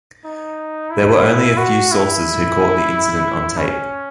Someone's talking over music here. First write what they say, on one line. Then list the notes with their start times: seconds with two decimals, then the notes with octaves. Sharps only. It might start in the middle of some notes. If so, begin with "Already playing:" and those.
There were only a few sources who caught the incident on tape.
0.25 D#4
0.91 E4
1.57 F#4
1.92 E4
3.58 C#4